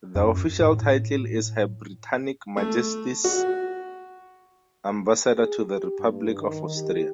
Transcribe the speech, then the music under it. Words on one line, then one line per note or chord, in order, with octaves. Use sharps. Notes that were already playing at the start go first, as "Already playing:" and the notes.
The official title is Her Britannic Majesty's Ambassador to the Republic of Austria.
F#2
A2
A3
F#4
G#4
G4
G2
D#3
G4